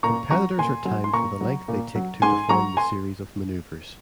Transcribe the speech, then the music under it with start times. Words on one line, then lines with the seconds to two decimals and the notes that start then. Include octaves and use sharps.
Competitors are timed for the length they take to perform the series of maneuvers.
0.03 A#2 A#5 C#6
0.31 F#3 A#5 C#6
0.58 A#2 G#5 C6
0.85 F#3
1.04 C6
1.13 A#2 A#5 C#6
1.41 F#3
1.68 A#2
1.95 F#3
2.22 G#2 G#5 C6
2.49 F#3 A#5 C#6
2.77 G#5 C6